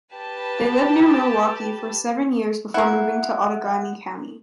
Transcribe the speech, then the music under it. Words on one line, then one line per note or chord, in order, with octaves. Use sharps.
They lived near Milwaukee for seven years before moving to Outagamie County.
G4 B4 A5
A#3 E4 F#5